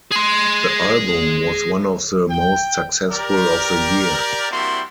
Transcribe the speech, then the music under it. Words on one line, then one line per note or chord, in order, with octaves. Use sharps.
The album was one of the most successful of the year.
G#4 C6
G5
G4 A#4 D5
G3 A#3 C4 E4 F#4 C6